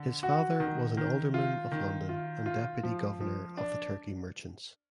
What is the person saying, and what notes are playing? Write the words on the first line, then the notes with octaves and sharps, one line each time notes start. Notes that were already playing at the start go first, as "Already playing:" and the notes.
His father was an alderman of London and deputy governor of the Turkey Merchants.
Already playing: D3
F#4
D#3
D#3
F4
D#3
F4
F4
F3
F3
D4